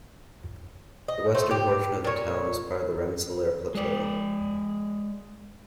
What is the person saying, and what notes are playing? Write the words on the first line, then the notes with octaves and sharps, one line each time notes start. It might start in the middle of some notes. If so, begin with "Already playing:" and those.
The western portion of the town is part of the Rensselaer Plateau.
D#5
A3 C5
G4
A#2 C#5
G#3 D5